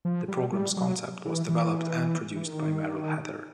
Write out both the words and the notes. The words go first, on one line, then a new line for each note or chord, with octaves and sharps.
The program's concept was developed and produced by Merrill Heatter.
F3
G3
G3
F#3
E3
E3
E3
D#3